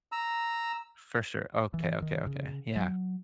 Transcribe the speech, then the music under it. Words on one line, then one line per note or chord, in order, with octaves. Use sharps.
For sure. Okay, okay, okay. Yeah.
A#5 E6
E3
D#3
C#3
F#3